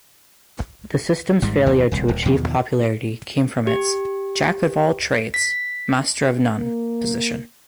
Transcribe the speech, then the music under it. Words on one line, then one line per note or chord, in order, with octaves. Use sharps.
The system's failure to achieve popularity came from its "jack-of-all-trades, master-of-none" position.
G#1 G#2 G3
F#1 D#2 A#2 E3
D#1 C2
D#1
E2 B2 D#3 F3
G4
B6
A#3